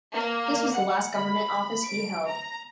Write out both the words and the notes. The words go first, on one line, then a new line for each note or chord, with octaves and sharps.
This was the last government office he held.
A#3
F#5
B5
D7
A#5